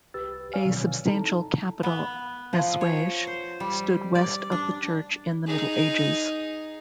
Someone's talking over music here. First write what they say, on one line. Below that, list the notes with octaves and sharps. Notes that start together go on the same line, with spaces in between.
A substantial capital messuage stood west of the Church in the Middle Ages.
C2 G4 B4 E6 A6
C#5 D5 F5 G#5 F6
B2 D3 D#3 F3 F#3 C4
D#4 E4 A4 A5 A#5
B3
F3
C#5
C5
G3
D5
D4
D#4 G#4